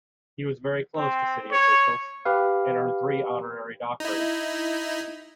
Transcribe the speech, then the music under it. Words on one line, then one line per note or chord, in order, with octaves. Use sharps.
He was very close to city officials and earned three honorary doctorates.
C4
C#5
G4 B4 F5
D#4 E4